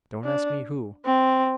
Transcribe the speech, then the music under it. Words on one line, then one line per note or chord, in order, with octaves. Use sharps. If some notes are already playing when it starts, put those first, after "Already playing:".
Don't ask me who.
D4
C4